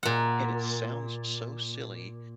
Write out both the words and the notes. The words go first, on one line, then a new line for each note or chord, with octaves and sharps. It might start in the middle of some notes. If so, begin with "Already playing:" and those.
And it sounds so silly,
A#2 F#5